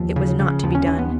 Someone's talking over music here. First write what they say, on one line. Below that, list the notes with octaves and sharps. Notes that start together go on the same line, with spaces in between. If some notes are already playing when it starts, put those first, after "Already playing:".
It was not to be done.
Already playing: D#2 F3
C#3
C#3
D#2 F3
C#4
D#2 C#4
B3